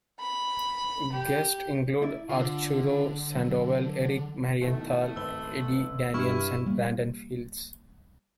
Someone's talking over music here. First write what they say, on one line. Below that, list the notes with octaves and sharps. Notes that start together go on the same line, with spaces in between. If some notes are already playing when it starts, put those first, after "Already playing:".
Guests include Arturo Sandoval, Eric Marienthal, Eddie Daniels, and Brandon Fields.
B5
G4
E4 D5 E5
D3 F4
F#3
B2 D#3 A3 E4
G#1 B4 E6 G7
G2 G3 E4 C#6 F6
G3 A#3